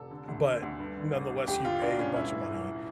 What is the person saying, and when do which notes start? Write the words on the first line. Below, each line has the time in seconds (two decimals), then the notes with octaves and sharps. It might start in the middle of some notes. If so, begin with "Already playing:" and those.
But nonetheless, you pay a bunch of money
Already playing: F1 A4
0.11 D3
0.28 D2
0.45 D3
0.62 D2
0.79 G2
0.96 D3
1.13 A1
1.30 A1
1.48 D2 G4
1.64 D3 F4
1.82 E1 D4
1.99 E1 C#4
2.16 G2 E4
2.33 E3
2.50 A1